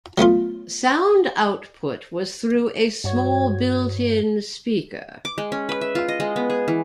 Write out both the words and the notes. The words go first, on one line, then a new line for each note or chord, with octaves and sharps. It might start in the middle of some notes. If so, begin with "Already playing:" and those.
Sound output was through a small built-in speaker.
F#3 A3 B3 F4
G2 F#4 C#5 G#6
D6
G#3
C#4
B4
E5
F4
D#5
G#3
B3
G#4
E3